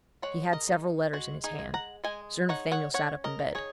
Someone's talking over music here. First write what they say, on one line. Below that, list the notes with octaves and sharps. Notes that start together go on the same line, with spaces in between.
He had several letters in his hand. Sir Nathaniel sat up in bed.
G#3 C#5 F#5
A#4 D#5
D#4
G#3 F#4
D#4 G#4
G#3
F#5 A#5
G#3 D#5 G#5
D#4 C#5 F#5
C#5 F#5
C#4 C#5 F#5
A#4 D#5
D#3
G#4 C#5